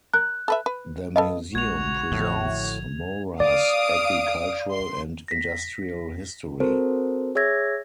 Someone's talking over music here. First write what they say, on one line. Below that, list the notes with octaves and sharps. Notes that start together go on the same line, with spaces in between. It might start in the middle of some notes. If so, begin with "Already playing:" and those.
The museum presents Moura's agricultural and industrial history.
A#4 F#6
A4 B4 E5
B4
A4 B4 D#5 F5
A#1 G#3 F#4 G#6 F7
A1 A2 D3 F3
D5 F5 D#6 D7
C6
A#6 B6
C4 F#4 A4 A#4 C5
G#4 C#5 E5 E6 G#6 A#6